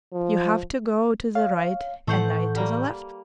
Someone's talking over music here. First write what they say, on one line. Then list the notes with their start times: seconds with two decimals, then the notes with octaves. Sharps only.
You have to go to the right and I to the left.
0.13 F3
1.35 C#5 F5
2.07 A2 E3 A3 C5 F#5 C#6 G6
2.56 G3 A#3